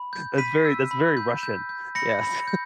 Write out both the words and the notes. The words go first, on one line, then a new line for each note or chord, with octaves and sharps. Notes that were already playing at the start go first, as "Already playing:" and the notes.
that's very that's very Russian, yes.
Already playing: B5
G6
B5 B6 D#7
E6
B5
G6
G6
G6
B5 A#6 C#7
B5
G6